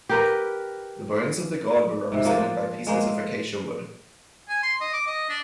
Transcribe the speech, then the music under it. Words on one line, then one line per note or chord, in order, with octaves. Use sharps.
The bones of the god were represented by pieces of acacia wood.
G4 A#4 B4
G#2 C3
F3 A#3 D4 C5
G#3 A#3 C5
G#5
C6
D#5
D6
D#5
D4